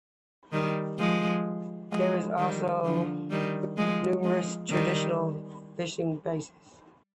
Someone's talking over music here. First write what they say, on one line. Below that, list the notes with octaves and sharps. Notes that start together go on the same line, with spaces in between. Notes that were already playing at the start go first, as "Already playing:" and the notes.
There are also numerous traditional fishing bases.
D#3 G3
F3 G#3
F3 G#3
D#3 G3
D3 F3
D#3 G3
F3 G#3
F3 G#3
D#3 G3